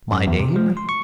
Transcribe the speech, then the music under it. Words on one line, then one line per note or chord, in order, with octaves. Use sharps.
"My name?"
F#2
E2
C3
F3
C6
C#6